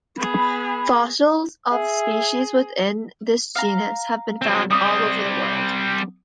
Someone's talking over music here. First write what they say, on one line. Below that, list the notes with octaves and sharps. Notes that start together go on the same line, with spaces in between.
Fossils of species within this genus have been found all over the world.
B3 G#4 B5
G#4 E5
F5 A#5
F#3 C4
G3 C4 D6 D#6